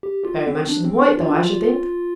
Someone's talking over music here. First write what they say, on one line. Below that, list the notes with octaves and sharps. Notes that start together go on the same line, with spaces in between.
'Very much to the point though, I should think.
G4
F4
C4
D4
C4
D4
F4
D4
F4